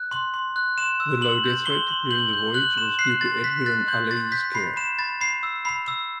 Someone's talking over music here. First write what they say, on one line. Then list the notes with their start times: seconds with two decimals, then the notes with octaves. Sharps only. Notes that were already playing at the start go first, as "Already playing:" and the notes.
The low death rate during the voyage was due to Edgar and Alley's care.
Already playing: F#6
0.11 C6
0.34 C6
0.56 F#6
0.78 C6 E7
1.00 E6
1.21 C6 F#7
1.44 G6
1.66 C6 G7
1.89 C6
2.11 G6 F#7
2.33 G6
2.54 F#6 F#7
2.77 C6 E7
2.99 F#6 C7
3.21 C6 A6
3.44 F#6 B6
3.66 F#6 A6
3.88 C6 G6
4.11 C6 A6
4.32 G6 B6
4.54 B5 C7
4.76 B5 E7
4.99 B5 A6
5.21 B5 C7
5.43 E6
5.65 B5 C7
5.88 E6